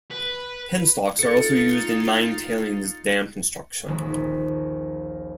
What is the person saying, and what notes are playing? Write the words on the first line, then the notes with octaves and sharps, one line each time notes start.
Penstocks are also used in mine tailings dam construction.
B4
D#4 F4 A4 A6 C#7
D#1 A#1 D#2 G#3 B6